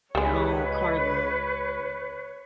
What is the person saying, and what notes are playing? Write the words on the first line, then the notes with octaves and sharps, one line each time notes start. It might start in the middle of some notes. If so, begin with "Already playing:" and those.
loan car loan,
C#2 G3 G#3 B4 C#5